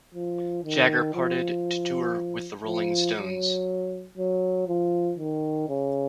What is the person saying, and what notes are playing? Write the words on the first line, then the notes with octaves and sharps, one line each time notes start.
Jagger parted to tour with the Rolling Stones.
F3
D#3
F3
F3
F#3
F#3
F3
D#3
C#3